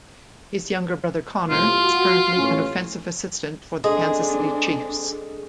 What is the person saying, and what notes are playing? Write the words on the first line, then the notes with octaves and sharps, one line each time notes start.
His younger brother Connor is currently an offensive assistant for the Kansas City Chiefs.
C2 A2 C3 F4
F#4
A1 C#4
G#3 C4 D4 G#4 A4